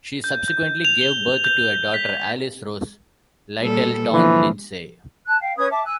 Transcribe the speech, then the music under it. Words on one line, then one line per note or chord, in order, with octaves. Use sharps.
She subsequently gave birth to a daughter, Alice Rose Lyttelton Lindsay.
G6
G6
F7
G7
G6
B6
A#2 G3 A4
D3 E3 F3 A#3
A5 F#6
F5 G5
C#4 B4 D#6 G#6
E5 A5 D6
G#5 E6 F#6